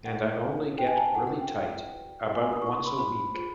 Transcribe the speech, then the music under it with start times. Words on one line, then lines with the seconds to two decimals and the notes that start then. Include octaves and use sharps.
And I only get really tight about once a week.
0.05 D#4 G4 B4 F#5
0.43 E4 G#4 C#5
0.78 G4 C5 G5
0.87 G#5
0.97 A5
1.06 G#5
1.15 F4 A4 C5 F#5
1.27 F#5
1.39 G5
1.51 E4 G#4 C5
1.88 F#4 B4 D5
2.24 D4 G4 C5 F#5
2.34 G#5
2.42 D6
2.53 D#6
2.61 D#4 G#4 C#5 C#6
2.73 C6
2.86 B5
2.98 G4 C5 B5
3.34 F4 G#4 C5